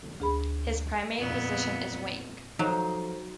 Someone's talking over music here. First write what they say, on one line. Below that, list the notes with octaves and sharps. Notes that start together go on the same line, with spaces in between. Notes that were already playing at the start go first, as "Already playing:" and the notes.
His primary position is wing.
D2 G#4 B5
F2 A#2 B3
F3 F#3 D#4 A4 C5